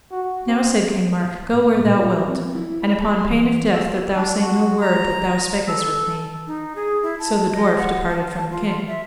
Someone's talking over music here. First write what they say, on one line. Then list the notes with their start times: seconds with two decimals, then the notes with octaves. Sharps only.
Now, said King Mark, go where thou wilt, and upon pain of death that thou say no word that thou spakest with me; so the dwarf departed from the king.
0.11 F#4
0.48 C4
1.52 A2
1.82 A#2
1.97 F4
2.14 A#4
2.28 C4
2.41 F3
2.55 E4
2.82 B5
3.15 C6
3.31 E3
3.43 E3
3.74 E6
4.16 D4
4.41 F#4
4.81 A#5
5.68 A4
6.47 D#4
6.76 G#4
7.03 E4
7.19 A5
7.52 D#5
7.78 F#5
8.08 A5
8.30 A5
8.51 F4
8.88 E5